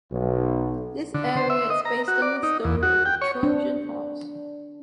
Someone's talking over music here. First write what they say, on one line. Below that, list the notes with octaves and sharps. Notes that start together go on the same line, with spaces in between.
This area is based on the story of the Trojan horse.
B1
D3
C5
E5
D#5
A#5
F#4
D5
D#4
E2
F#4
G5
C#5
D4